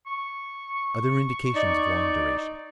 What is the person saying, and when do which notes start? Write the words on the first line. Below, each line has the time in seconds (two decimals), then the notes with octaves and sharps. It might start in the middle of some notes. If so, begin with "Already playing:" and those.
Other indications of long duration.
0.07 C#6
1.55 D#4 D5